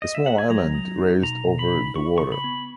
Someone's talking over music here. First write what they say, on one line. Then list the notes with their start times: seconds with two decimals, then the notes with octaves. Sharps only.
A small island raised over the water.
0.02 D#5
0.15 E5
0.26 F#5
0.38 G#5
0.50 F#3 A#5
0.75 F#3
0.98 D#4
1.22 B2 A#5
1.47 B2
1.59 B5
1.72 D#4
1.95 E4 C#6
2.18 C#3 C#6
2.32 B5
2.44 B3